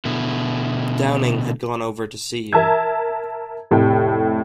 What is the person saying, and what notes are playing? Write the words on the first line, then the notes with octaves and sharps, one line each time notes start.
Downing had gone over to see you.
B2 D3 E4
A#4 E5 A5 A#5 E6 G#6
F1 A2 C3 A4 G5